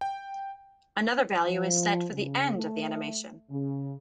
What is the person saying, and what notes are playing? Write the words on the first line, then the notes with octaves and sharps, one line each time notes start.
Another value is set for the end of the animation.
G5
F3
C#3
A3
C#3